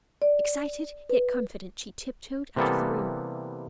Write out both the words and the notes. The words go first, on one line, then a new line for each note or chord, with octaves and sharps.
Excited yet confident she tip-toed out of the room.
D5
B4
C3 E3 G3 A#3 B3 A4